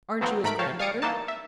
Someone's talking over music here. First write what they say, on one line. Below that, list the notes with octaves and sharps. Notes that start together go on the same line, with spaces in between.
"Aren't you his granddaughter?"
B2 D#3 F3 F#3 B3 C4
G#2 A3 A#4 B5 B6 D7
C#5 F5 G5 A5
F5 G#5 D#6 A6 C#7 D7
E3 F#3 A#3 D#4 A5
E5